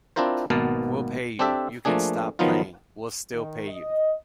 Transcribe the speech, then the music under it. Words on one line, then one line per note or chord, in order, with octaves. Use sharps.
We'll pay you, you can stop playing, we'll still pay you!
C4 D4 E4 F4 A#4 C5
G#1 B2 A#3 B3 F5 A5
C4 D4 G4 A4 E5
F3 A3 A#3 D4 G#4
D#3 F3 F#3 B3 D#4 F4
D#3
D#5